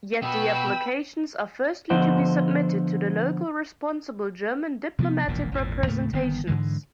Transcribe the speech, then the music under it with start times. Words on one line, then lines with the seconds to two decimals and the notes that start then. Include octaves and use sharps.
Yet the applications are firstly to be submitted to the local responsible German diplomatic representations.
0.22 B2 B3 B4 G5 B5 E6
1.90 D3 F3 B3 C5 D#5 F#5
4.99 C3 F3 A3 B3
5.28 E1 A#1 E2 A#2
5.52 G#1 E2 A#2
5.88 D#2 A2 C#3 A3
6.13 G1 D#3 B3
6.47 G#2 D3 E3 G#3